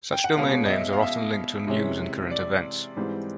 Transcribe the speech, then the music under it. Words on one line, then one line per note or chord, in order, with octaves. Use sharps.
Such domain names are often linked to news and current events.
G5
F#5
B2 G#3 C#4 F5
D#5
E5
F5
E5
C3 E3 G#3 C#4
D5
G#2 E3 G3 C4